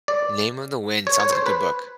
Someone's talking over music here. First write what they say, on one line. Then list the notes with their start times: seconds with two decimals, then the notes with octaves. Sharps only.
Name of the Wind, sounds like good book.
0.08 D5
1.07 C#5
1.20 C#5
1.33 C5
1.46 B4